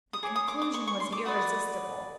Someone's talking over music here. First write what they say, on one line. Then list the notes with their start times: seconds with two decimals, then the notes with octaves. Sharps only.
The conclusion was irresistible.
0.13 D#6
0.23 G#4 D6
0.26 C#5
0.36 D#6
0.48 D6
0.62 D6
0.74 C#6
0.87 C#6
1.00 C6
1.12 D6
1.25 F#4 B4 D5 D#6